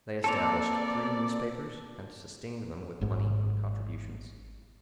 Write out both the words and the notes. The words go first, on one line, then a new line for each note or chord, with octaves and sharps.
They established three newspapers, and sustained them with money and contributions.
A#3 C4 A4 D5 A5 F7
G#1 G#2